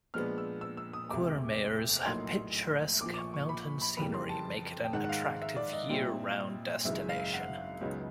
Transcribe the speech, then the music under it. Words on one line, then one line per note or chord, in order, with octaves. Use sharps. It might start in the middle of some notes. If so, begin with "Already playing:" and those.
Courmayeur's picturesque mountain scenery make it an attractive year-round destination.
A#2 F3 G#3 B3 D4 F6
E6
E6
E6
D#6
E1 D2 C3 D6
A#1 A2 F#3 A#3 D#4 C6
A#1 A#2 F3 D6
D6
C#6
C#6
B5
B5
F2 C#3 E3 G3 A#3 B5
C6
A5
G5
G#2 D#3 G#3 F#5
F#5
F5
F5
E5
D5
D#5
A#2 G3 C4 E4
G#1 F#2 C#3 E3 G#3 E5
F5
F#5
C#2 C#3 F#3 B3 D#4